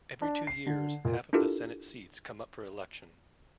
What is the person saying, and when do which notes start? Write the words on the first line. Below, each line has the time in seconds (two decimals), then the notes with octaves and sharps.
Every two years, half of the senate seats come up for election.
0.22 D4
0.47 C7
0.66 D3
1.05 A#2
1.33 D4 E4 F4 G4 A4 A#4